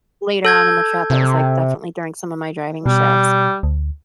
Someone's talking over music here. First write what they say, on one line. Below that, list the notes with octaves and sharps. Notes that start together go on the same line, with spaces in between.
later on in the trip, it was, like, definitely during some of my driving shifts,
A4 G6 G#6
C3
B2 G3
D2